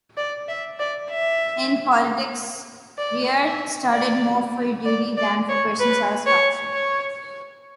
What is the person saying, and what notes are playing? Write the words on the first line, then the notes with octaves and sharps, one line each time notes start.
In politics, Riart started more for duty than for personal satisfaction.
D5
E5
D5
E5
D5
E5
D5
D5
D5
C#5
B4
C#5
C#5